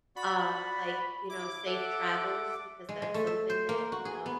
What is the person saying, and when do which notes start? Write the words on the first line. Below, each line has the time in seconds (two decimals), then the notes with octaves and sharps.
Um, like, you know, safe travels, because that's something that, you know,
0.16 F#4 D5 F#5 B5
1.29 E4 D6
1.66 A4 E5 F#5
2.89 G#3
3.02 G#3
3.14 A3
3.27 E5
3.50 C5
3.69 A#3
3.92 F#4
4.05 G#4
4.26 B3